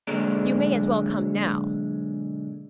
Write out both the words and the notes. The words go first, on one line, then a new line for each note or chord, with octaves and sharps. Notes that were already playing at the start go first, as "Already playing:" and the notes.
You may as well come now.
B1 D3 G#3 A#3 D5